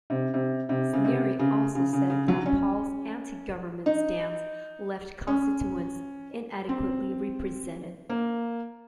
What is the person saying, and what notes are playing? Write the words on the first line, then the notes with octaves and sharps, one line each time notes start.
Sneary also said that Paul's anti-government stance left constituents inadequately represented.
C3
C3
C3
C#3
C3
C#3
C#3
C#3
C#3
F#3
C#4
D#4
C#4
C4
A#3